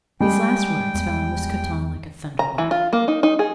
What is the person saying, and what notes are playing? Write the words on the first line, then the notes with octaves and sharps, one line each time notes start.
These last words fell on Mousqueton like a thunderbolt.
G3 G#3 G5
E2
A#5
E3
F4
A#3
D#4
D#4
G#4